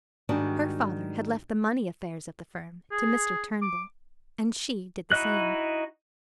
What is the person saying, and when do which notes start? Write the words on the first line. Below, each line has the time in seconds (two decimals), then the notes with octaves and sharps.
Her father had left the money affairs of the firm to Mr. Turnbull, and she did the same.
0.29 G#2 D#3 G3 D4 F#4
2.91 G#4
3.62 D6
5.12 D#4 E4 F#4 D#5 F#6